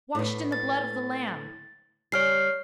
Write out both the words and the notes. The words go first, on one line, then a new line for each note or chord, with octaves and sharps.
Washed in the blood of the Lamb.
A2 B3
A6
G3 C#5 G#5 F6 C7